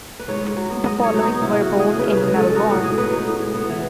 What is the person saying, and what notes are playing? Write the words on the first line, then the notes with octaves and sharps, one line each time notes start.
The following were born in Melbourne.
B4
G#2 C#5
G#2
F#3
B3
G#2 D#5
G#2 C#5
F#3
B3 D#4
C#3 E4
C#3
F#4
G#3
G#4
C#4
C#3 B4
C#3 B4
G#3
C#4 A4
D#4 F#4
A2 F#4
G#3 G#4
B3 B4
D#4
A2
G#3
B3
E3